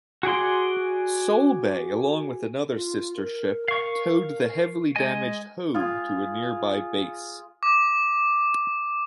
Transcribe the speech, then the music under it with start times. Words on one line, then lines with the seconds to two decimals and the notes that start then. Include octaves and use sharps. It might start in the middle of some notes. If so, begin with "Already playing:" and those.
"Solebay", along with another sister-ship, towed the heavily damaged "Hogue" to a nearby base.
0.23 F#4 G#4 D5 C6
2.75 F4
3.17 A#4
3.68 F5 C#6
4.96 G#3 D#5 G#5
5.74 F4 G#4
7.63 D6